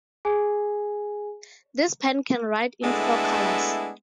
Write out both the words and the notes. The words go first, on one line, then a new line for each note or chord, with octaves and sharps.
This pen can write in four colors.
G#4 G#5
G#3 A3 B3 D4 E4 A4